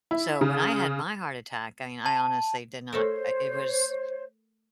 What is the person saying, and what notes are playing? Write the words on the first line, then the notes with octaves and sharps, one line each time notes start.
so when I had my heart attack, I mean, I honestly did not I it was
E4
C#3
A5
A3 A4 A#4 C5 C#5